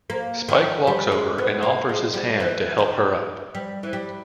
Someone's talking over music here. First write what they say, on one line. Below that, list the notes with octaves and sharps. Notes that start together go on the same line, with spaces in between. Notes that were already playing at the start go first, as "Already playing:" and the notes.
Spike walks over and offers his hand to help her up.
A#3
D#3
G3
G#3
B3
A#3
G#3
G3
E3
D#3
G3
E3
G3